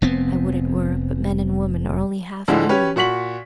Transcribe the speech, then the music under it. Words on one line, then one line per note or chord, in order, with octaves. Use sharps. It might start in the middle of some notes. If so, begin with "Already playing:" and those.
I would it were; but men and women are only half human.
F1 B3 C4
D2 A2 D3 F3 G#3
C#4 G4 B4 C#5
A#2 F#4 C#6 B6 F#7